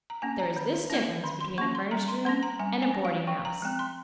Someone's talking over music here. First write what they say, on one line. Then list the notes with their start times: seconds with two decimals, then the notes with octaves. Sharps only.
There is this difference between a furnished room and a boardinghouse.
0.10 A#5
0.22 A#3 C#4 G#5
0.39 A#5
0.57 D#3
0.90 A#3 C#4
1.23 D#3 C6
1.41 C6
1.58 A#3 C#4 C#6
1.75 C6
1.91 G3 A#5
2.08 C6
2.25 A#3 C#4 C6
2.43 A#5
2.59 G3 G#5
2.83 G#5
2.94 C#4
3.05 F5
3.27 F3 G5
3.45 A#5
3.62 G#3 C4
3.79 C6